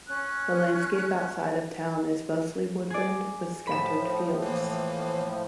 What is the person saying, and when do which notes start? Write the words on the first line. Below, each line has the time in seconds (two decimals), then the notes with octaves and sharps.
The landscape outside of town is mostly woodland with scattered fields.
0.08 C#4 F#6
2.90 G#4 D5
3.67 A2 F3 B5 E7
4.42 E3 A#3